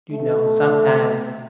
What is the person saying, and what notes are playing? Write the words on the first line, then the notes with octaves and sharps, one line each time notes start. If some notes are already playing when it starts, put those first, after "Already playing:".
you know, sometimes
A3